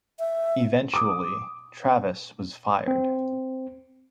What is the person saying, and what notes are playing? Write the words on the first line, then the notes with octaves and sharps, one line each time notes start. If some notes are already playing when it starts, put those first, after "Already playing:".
Eventually, Travis was fired.
E5
D6 D#6
C4